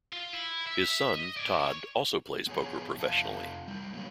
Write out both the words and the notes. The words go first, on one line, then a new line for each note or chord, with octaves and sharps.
His son, Todd, also plays poker professionally.
F4
E4
E5
D#5
D5 G#5
C#5
B3 F4 G#4 A#4 C#5 G#5
F2 C3 F4 E5 F5 A5
G3 E4
F#3 G3 A#3 B3